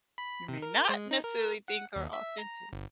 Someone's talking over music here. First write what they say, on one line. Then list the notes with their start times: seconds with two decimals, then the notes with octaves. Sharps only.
you may not necessarily think are authentic.
0.18 B5
0.48 C3
0.62 A#4
0.89 G#3
1.11 D#4
1.24 A#4
1.68 F#5
1.96 D#2
2.13 E5
2.38 A#5
2.73 G1